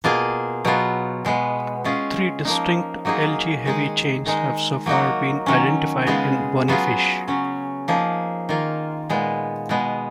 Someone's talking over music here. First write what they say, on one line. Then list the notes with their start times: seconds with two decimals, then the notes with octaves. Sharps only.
Three distinct Ig heavy chains have so far been identified in bony fish.
0.04 B2 A#3 F4 G#4
0.65 B2 F#3 B3 F4
1.25 B2 G#3 B3
1.84 G#3 C#4 F4 G#4
2.45 F3 A#3 D#4
3.05 F#3 A#3 D#4 G#4
3.66 D#3 G#3 D#4 G#4
4.26 D#3 G#3 D#4
4.86 F#3 A#3 D#4 F#4
5.46 D#3 F#3 C#4
6.07 C#3 G#3 B3 F4 G#4
6.68 F#3 B3 F4 G#4
7.28 C#3 F#3 C#4
7.88 F3 A#3 D#4 G#4
8.49 D#3 A#3 F4
9.09 A#2 G#3 B3
9.69 B2 G#3 B3